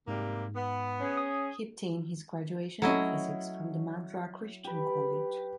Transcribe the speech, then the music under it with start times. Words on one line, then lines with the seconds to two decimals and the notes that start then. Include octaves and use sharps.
He obtained his graduation in Physics from the Madras Christian College.
0.08 G#2 C3 G3 A#3
0.56 B3
1.00 C#4 G#4
1.17 D#6
2.82 F#3 A3 C#4 E4 D#5
4.64 G4 B4